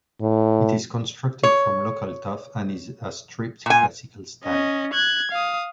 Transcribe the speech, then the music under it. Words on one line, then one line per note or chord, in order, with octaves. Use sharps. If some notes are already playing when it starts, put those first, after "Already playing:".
It is constructed from local tuff and is a stripped classical style.
A2
C#5
A#2 G#5
C#4 D#5
F#6 G#6
F5 D#6